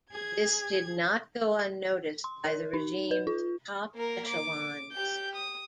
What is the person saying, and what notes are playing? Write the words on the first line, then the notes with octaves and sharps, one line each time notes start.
This did not go unnoticed by the regime's top echelons.
G#4 G#6
C6
A#4
D#4
B4
F4
A#3 A#4
D6
G4 G6
D#6